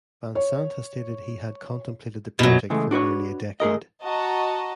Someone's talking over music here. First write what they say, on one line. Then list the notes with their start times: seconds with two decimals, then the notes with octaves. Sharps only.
Van Sant has stated he had contemplated the project for nearly a decade.
0.35 C#5
2.39 A#1 F#2 B2 F#3
2.70 C#3 E3 G#3 A3
2.91 D4 F#4 B4 C#5
3.60 A3 G#4 A#4 D#5
4.03 F#4 D#5 A5 A#5